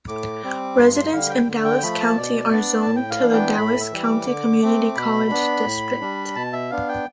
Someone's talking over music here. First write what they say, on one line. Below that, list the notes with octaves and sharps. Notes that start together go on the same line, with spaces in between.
Residents in Dallas County are zoned to the Dallas County Community College District.
A2 D6
G3 C4
G2 C6
C6
D3 G3 F5
G5
D3
G5
F3 A3 B5
A5
B2 D5
B3 D4
A2 A5
G5
F5
E3 B3 D4
G5
A2 B5
E5
E3 G3
D6
D3
A3 C4
B2 B5
B3 D4
A2
G3 D4
B2 A5
E5
B3 D4 F5
G5